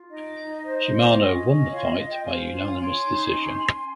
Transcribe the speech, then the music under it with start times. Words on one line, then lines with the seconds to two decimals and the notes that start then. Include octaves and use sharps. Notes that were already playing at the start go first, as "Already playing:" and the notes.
Shimano won the fight by unanimous decision.
Already playing: F4
0.10 D#4 D#5
0.37 D#4
0.64 C5
0.91 F4
1.17 C#4 D#5
1.45 C#4
1.71 F4 C#5 F5
1.84 D#5
1.93 C#5
1.98 F4 D#5
2.12 D#5 G5
2.25 C5 F5 G#5
2.52 F4
2.79 C#5 G#5 C6
3.06 D#4
3.33 C#4
3.60 C#4